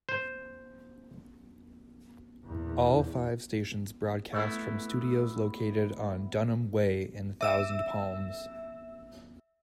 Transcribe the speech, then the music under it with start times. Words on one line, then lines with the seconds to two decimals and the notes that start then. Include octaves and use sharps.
All five stations broadcast from studios located on Dunham Way in Thousand Palms.
0.09 C5
2.44 E2 A#2
4.32 A3 B3 E4
7.41 E5 E6 E7